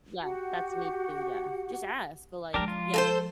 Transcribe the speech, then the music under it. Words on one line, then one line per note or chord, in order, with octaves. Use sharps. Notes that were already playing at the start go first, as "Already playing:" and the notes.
Yeah. That's me too. Yeah. Just ask. Like yeah.
F#4 G4 F#5
F3 G#3 D4 G4 A#4
F4
A4 A#4 C5